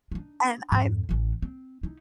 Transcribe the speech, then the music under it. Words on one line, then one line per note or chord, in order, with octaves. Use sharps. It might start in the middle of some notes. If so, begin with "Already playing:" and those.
And I'm
D4 D#4
F2 G#2
A1 E3
C4
D#4 E4